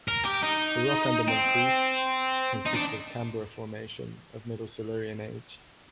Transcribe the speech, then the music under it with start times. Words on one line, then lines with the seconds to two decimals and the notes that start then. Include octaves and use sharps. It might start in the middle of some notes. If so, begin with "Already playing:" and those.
The rock under Moncrieff consists of Canberra Formation of middle Silurian age.
0.08 A#4
0.25 G4
0.42 D#4
1.28 C4
2.66 D#4
2.75 D4